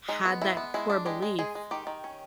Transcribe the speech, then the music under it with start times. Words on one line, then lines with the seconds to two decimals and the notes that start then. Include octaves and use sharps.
had that core belief,
0.08 G#3 D#4
0.25 B3
0.42 G#3 E4
0.57 B3
0.74 G#3 E4
0.90 D4
1.06 G#3 G4
1.22 G#3
1.39 G#3 G#4
1.55 G#3
1.71 D#3 G4
1.87 D#3
2.04 C#4